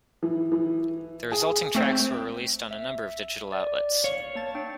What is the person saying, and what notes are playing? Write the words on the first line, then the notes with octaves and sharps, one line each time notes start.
The resulting tracks were released on a number of digital outlets.
E3
E3
G#4
A3 C4 C5
E5
D5
C#5 F5
A#3 A5 A6
D4 G5